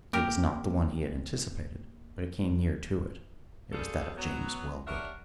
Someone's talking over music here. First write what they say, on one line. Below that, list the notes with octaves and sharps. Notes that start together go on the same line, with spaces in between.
It was not the one he had anticipated, but it came near to it. It was that of James Wellgood.
A#3 G4 A#4
C#3 G3 F4 G#4 A4
F#3 B3
G3 D4 A#4 C#5 E5 F#5